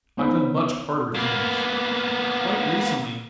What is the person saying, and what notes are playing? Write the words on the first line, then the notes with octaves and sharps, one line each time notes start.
I've done much harder things. Quite recently.
B3 C#4 D#4 C5 B5
A#3 B3